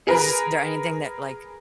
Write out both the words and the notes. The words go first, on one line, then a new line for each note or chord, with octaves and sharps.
is there anything that like
G#4 A#4 B4